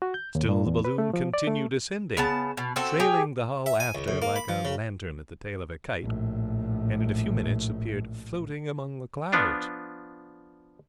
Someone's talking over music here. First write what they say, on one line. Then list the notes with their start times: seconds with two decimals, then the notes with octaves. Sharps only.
Still the balloon continued ascending, trailing the hull after like a lantern at the tail of a kite, and in a few minutes appeared floating among the clouds.
0.02 F#4
0.14 G6
0.35 D#2
0.49 G2
0.66 E2
0.85 B4
0.98 A3
1.13 F3
1.34 D5
1.47 A3
2.17 C#3 B3 A5
2.57 B2
2.76 C4 F#4 A4
3.00 G4 G#4 G5
3.66 E5
3.80 G#5
3.95 C#2
4.08 F#2
4.22 A#3
4.36 B5
4.49 F3
4.65 C#3
6.03 A#1 A2
9.32 F3 B3 D4 F4